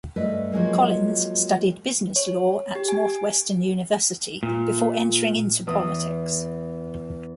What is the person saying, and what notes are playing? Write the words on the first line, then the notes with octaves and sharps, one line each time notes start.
Collins studied business law at Northwestern University before entering into politics.
G2 A3 B4 D#5
F3 F#3 G#3 A#3
C#5
G4
G#5
A#2
E2 D#6